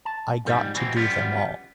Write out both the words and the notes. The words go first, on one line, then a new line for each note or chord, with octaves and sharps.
I got to do them all.
A5
F2 G#2 G3
B2 E3 G#3 C4
F#2 G3 B3 F4